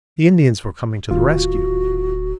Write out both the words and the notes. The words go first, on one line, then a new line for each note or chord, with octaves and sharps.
The Indians were coming to the rescue!
D1 D#2 F4 F#4